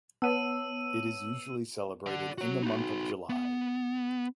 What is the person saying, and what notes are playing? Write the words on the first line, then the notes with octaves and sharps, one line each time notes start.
It is usually celebrated in the month of July.
B3 C#5 A5 E6 D#7
D5 F#5
F#4 C#5
D#4 F#4
B3